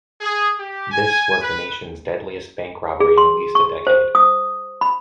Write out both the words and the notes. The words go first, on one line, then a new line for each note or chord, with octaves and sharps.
This was the nation's deadliest bank robbery in at least a decade.
G#4
G4
G#5
B4
G#4
C6
C#6
C5
D#6
B5